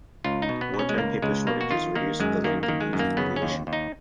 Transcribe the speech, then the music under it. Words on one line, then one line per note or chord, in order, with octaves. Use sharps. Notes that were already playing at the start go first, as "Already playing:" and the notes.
Wartime paper shortages reduced the length of each weekly issue.
C#2 F4
D#4
B2
B3
B2
C#4
G#3
C#2 A#3
C#2 G#3
B2 A#3
F#4
D#3 F4
D#3 A#3
F#2 G#3
D#3 A#3
A#3
D#3
G#3
F#2
A#3
C#3 B3
C#4
D#2
D#2
D#4